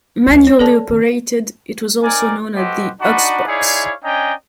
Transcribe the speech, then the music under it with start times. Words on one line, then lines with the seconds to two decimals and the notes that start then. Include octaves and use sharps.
Manually operated, it was also known as the Ox Box.
0.27 D2 G3
0.47 C#5
0.59 C4 A4 D5 A5
0.89 D#3 C4
2.03 C4 D#4 A#4 D5 G#5
2.56 F#4 G4 A4 B4 C5 D#5
3.01 D4 D#4 F#4 D5 F#5 B5
3.47 D#4 E4 G#4 C#5 D5 F5
4.04 C#4 D4 D#5 G5 G#5 A#5